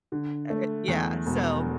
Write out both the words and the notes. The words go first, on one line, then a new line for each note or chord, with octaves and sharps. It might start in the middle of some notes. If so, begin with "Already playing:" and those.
Uh, uh, yeah, so,
D3
A3
E2
E1